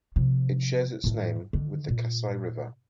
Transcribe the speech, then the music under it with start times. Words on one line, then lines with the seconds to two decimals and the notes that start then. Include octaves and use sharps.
It shares its name with the Kasai River.
0.16 C3 F3
1.04 A2 D#3
1.53 D3 D#3
1.89 A#2